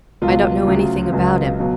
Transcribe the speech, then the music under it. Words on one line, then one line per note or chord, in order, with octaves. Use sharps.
"I don't know anything about him."
C#2 B2 F#3 F4
D2 C#3 F#3
C#2 C#3 F#3
B2 F#3